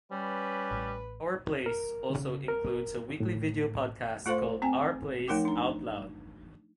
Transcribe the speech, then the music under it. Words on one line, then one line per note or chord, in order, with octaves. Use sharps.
Our Place also includes a weekly video podcast called Our Place Out Loud.
G3 C#4 B4
A1
A#4
C#3
A#4
A2
A3 F4 A4 C5 F5 C6
C4 G5 G#5
F3 A3 D#4 A#4 G5 D6
D4 A#5